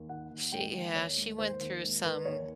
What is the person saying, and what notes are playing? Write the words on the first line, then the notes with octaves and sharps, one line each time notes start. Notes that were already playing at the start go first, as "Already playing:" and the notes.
she, yeah, she went through some,
Already playing: D#2
D#3 F#5
D#2
G#3 G5
D#2
D#2 C#5
G#3
D#2 C5
D#2
G#3
D#3 B4
D#2 C#5